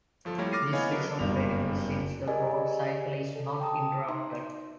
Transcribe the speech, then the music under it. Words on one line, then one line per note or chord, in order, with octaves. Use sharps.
This is of benefit since the growth cycle is not interrupted.
G1 F3 A4
G3 A3 A#3 E4 A#4 C#5
D6 F6 A6 A#6 C7 D#7
B3 E4 C#5 D#5 F5 G#5
F#3 D4 G#4 A#4 B4
F#1 G2 B2 A#3 D4 F7
G4 G#4 A#4 D5 D#5 G#5
A4
G5 A5 A#5 D#6
D#4 E5 C6